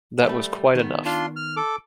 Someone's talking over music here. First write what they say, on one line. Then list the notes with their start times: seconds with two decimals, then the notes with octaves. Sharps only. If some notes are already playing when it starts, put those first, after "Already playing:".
That was quite enough.
0.25 G3 A3 B4
0.75 D#3 B3
1.05 D4 F4 C6
1.36 F6
1.56 A4 D6